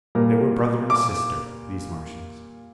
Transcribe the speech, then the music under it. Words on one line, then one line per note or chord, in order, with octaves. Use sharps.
They were brother and sister, these Martians.
A#2 G3 A#4
D6